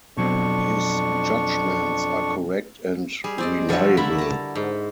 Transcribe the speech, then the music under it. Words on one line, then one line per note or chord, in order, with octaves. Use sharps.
His judgments are correct and reliable.
F2 B2 F#3 C4 D4 C#6
G3 G#4
C4 D5 D#5
D3 F3 G3 F#4 A4 C#5
D3 E4 A#4 E5 A#5 B5
A5 A#5
G#2